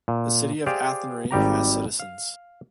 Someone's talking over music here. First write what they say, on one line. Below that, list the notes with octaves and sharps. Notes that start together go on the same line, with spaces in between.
The city of Athenry has citizens.
A#2
G4 G#4 C5 D5 F5 G5
G#1 G3 G4 A#5
F5